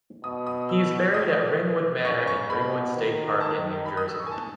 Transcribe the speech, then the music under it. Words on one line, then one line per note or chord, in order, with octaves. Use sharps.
He is buried at Ringwood Manor in Ringwood State Park in New Jersey.
B2 D#6
D#6
E6
A2 D#6
C#3 C#6
C#6
B2 B5
D#3
A5
B5
D#6
E6
C#6
G#5
A5